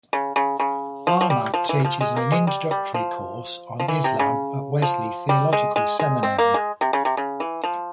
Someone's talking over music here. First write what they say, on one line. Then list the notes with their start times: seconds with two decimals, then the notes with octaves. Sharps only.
Ahmad teaches an introductory course on Islam at Wesley Theological Seminary.
0.13 C#3
0.36 C#3
0.60 C#3
1.07 F3
1.21 F3
1.30 G3
1.54 F3
1.69 E3
1.85 F3
2.01 G#3
2.16 A#3
2.32 G#3
2.47 G3
2.71 G3
2.94 F3
3.80 F3
3.88 E3
4.04 C3
4.19 C#3
4.82 F3
5.29 G3
5.53 G#3
5.76 G#3
5.99 G#3
6.23 C4
6.38 A#3
6.54 G#3
6.81 C3
6.93 C#3
7.05 C3
7.17 C#3
7.40 E3
7.64 F3